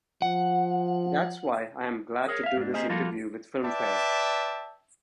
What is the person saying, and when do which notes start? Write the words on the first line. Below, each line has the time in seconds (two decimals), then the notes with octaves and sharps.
That's why I am glad to do this interview with Filmfare.
0.22 F3 F#5
2.27 G#4 A#4 C#5
2.43 E5 F5
2.57 G#2 D4
2.74 A#3 C4 G4 G#4 C5 D#5
2.89 F3 G3 A#3 F4 F#4 A4
3.63 B4 D5 E5 G5 A5